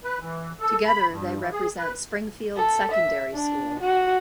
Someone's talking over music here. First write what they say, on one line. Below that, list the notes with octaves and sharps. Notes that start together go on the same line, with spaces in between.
Together, they represent Springfield Secondary School.
B4
E3
A4
B5
G2
E3
G#4
B4
A4
E5
D4
F#4